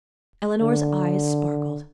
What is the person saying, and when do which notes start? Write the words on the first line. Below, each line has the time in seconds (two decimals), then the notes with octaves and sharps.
Eleanor's eyes sparkled.
0.62 D3